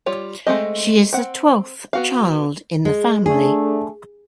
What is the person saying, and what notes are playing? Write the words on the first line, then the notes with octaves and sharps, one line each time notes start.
She is the twelfth child in the family.
G3 F4 C#5
G#3 A3 C4 D#5
C4 F#5
B3 F#4 F5
G#3
A3 D4 G#4